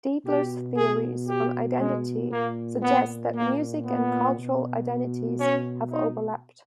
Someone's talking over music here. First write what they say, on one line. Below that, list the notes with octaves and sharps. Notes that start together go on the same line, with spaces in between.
Dietler's theories on identity suggest that music and cultural identities have overlapped.
B2 G4
G#4
G4
G#3
A#2 A#3
B3
A#3
B3
B2
C#4
D#4